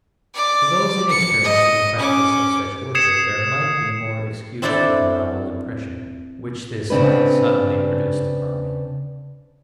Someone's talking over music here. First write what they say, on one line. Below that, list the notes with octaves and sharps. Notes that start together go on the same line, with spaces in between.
To those inexperienced in the practice of such worship there might be more excuse for the novel impression which this sight suddenly produced upon me.
D5 D6
C#7
D#5
C#4 D6
D#6 G#6 C7 C#7 E7
C4 D4 E4 A4 C5 D5
C#3 C4 D4 B4